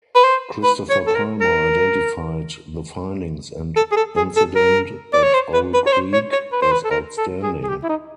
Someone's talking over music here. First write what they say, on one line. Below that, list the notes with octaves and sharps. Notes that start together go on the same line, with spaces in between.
Christopher Palmer identified "The Findings" and "Incident at Owl Creek" as "outstanding".
B4
C5
B4
C#5
A4
A#4
A#4
A4
G#4
A4
G#4
A4
A#4
D5
C#5
C5
B4
B4
C#5
C5
C#5
C#5
B4
C5
B4
A4
A#4
A4
G#4
G#4
G4
E4
D#4